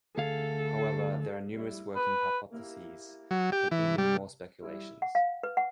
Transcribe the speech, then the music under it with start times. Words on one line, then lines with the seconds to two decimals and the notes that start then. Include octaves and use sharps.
However, there are numerous working hypotheses and even more speculations.
0.18 D2 G#4 A4 F5
1.96 B4
3.31 F#3
3.52 G4
3.71 E3
3.98 G3
5.02 F#5
5.15 F5
5.43 B4
5.57 F#5